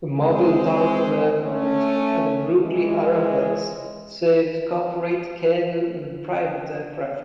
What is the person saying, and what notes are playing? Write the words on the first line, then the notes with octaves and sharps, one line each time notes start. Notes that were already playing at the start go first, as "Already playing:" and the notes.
The Mobile Downtown Airport at the Brookley Aeroplex serves corporate, cargo, and private aircraft.
G#3 C4
A3 C#4
E3 G#3